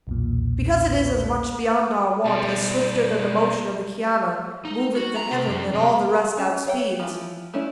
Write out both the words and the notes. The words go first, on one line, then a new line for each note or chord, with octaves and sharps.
Because it is as much beyond our wont, As swifter than the motion of the Chiana Moveth the heaven that all the rest outspeeds.
B1 E2 A#2
B2 G3
D#4
F#4
A#5
C3
F#2
C3
C#4 A5
C#5 F#5 G5
E3 F3
A3 C#4 D4 E4